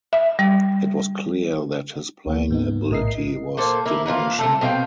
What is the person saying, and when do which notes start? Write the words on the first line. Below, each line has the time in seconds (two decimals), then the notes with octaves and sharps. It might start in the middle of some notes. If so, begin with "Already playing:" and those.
It was clear that his playing ability was diminishing.
0.13 E5
0.39 G3
2.26 D2 A#3
2.50 G#2 B3 D#4
2.90 A#1 A2 A#4 D#5 E5 C7
3.57 A#2 A#3 A4 C5
3.86 A#3 E4
4.06 E3 A#3 D#4 F4
4.39 C3 A3 A4
4.61 B2 C4 F5 G5